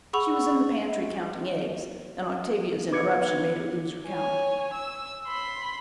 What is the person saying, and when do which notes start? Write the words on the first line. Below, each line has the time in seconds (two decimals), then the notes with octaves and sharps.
She was in the pantry counting eggs, and Octavia's interruption made her lose her count.
0.13 G#4 F#5 B5 C#6 E6 F7
2.91 B3 B4 D6 G#6 C#7
4.07 C#5 G#5
4.74 E6
5.27 B5 C6